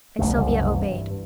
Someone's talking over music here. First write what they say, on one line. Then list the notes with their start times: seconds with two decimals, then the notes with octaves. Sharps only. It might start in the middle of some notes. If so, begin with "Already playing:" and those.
And Sylvia obeyed.
0.19 F1 C2 C3 A3
0.37 F#1 C2
0.76 G2 E3